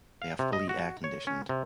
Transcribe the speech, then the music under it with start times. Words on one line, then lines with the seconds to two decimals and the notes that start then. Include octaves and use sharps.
They are fully air-conditioned.
0.22 F5
0.39 C3
0.53 D#5
0.69 F#4
1.04 C#5
1.27 C#4
1.49 C3